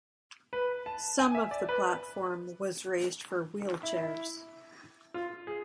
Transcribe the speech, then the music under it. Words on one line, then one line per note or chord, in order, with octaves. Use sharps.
Some of the platform was raised for wheelchairs.
B4
A5
G#5
E5
D5
B4
E4
F4
G#4